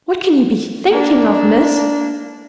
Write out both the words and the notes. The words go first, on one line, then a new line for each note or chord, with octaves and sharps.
What can you be thinking of, Miss?
A#3 D4